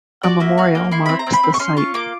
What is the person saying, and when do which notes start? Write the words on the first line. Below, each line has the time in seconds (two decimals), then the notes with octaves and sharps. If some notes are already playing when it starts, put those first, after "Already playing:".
A memorial marks the site.
0.23 F#4 D5
0.40 A#3 E5
0.58 F#4 F5
0.75 A#3
0.91 E4 C6
1.06 C4 B5
1.19 A#5
1.27 C4
1.33 B5
1.43 C4
1.54 C#6
1.59 C#4 C6
1.77 F4 C#6
1.94 A#3 D6